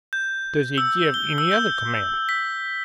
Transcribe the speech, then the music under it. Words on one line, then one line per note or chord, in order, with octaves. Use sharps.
Does he give any other command?
G6
E6
G7
E6
G6
B6